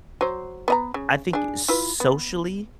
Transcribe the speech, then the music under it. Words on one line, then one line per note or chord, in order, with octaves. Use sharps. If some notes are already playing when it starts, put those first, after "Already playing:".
I think socially,
F#3 C5
B3 D#5 A#5
C#3
D4 G#4
E4 F4 B4
B3